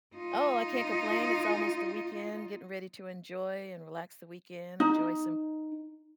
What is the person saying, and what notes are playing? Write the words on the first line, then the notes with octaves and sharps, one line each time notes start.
Oh, I can't complain, it's almost the weekend, getting ready to enjoy and relax the weekend, enjoy some
D#4 F4
D#4